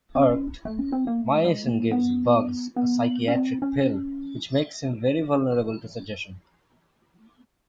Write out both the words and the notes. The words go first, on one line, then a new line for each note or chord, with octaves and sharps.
Irked, Myicin gives Bugs a psychiatric pill which makes him very vulnerable to suggestion.
C4
C#4
A3
C#4
C4
A#3
A3
G#3
G3
G#3
A#3
B3
B3
C#4
C4
C#4